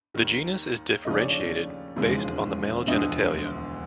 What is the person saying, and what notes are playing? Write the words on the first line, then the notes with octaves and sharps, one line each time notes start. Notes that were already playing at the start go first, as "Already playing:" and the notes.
The genus is differentiated based on the male genitalia.
D#2 D#3 G3
D#2 C#3 F3 A3 D#5
D5
C#5
D5
E1 D#2 C#3 F3 G#3
E1 D2 D3 F3 D#5